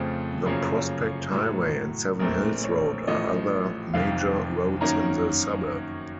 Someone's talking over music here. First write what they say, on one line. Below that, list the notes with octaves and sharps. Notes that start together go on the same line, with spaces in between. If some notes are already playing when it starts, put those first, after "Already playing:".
The Prospect Highway and Seven Hills Road are other major roads in the suburb.
Already playing: F2 C#3 F3 A3 C4
F#2 C#3 F3 A#3 C#4
A2 F#3 A3
A#1 A#2 A3 C4 A#4
C#5
A1 A2 F3 A3 D#5
F1 F2 D#3 F5
F#2 D#3 A#3 C#4 A#5